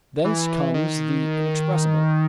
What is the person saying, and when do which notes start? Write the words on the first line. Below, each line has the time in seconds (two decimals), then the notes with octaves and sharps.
Thence comes the inexpressible.
0.25 E3
0.74 D#3